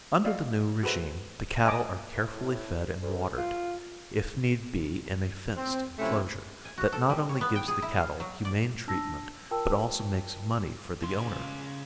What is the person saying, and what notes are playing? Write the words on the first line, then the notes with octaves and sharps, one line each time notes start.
Under the new regime the cattle are carefully fed and watered, if need be in a fenced enclosure, that not only gives the cattle humane treatment but also makes money for the owner.
F#4 D5 D#5 F5
F#4 G#4 A4 B4 C5 E5
D#5 G#5 A5 D6 D#6
A2
D2
F4
C4
C3 F3 A3 C#4 E4
G#5
F#4
A4
G3
C#5
B3
G5
G#4
E4
F5
F#3
D5
D4 A5 E6 A#6
F4 A#4 G5 A5 E6
C#3 C6